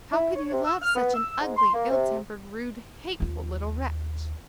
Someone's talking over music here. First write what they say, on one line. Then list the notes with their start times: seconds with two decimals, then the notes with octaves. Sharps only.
"How could you love such an ugly, ill-tempered, rude, hateful little wretch?"
0.12 E4
0.35 C#5
0.51 C3
0.64 E6
0.82 F6
0.95 B3
1.14 E6
1.39 G#2
1.56 C6
1.73 A#3
1.90 C3
3.20 D#2 F4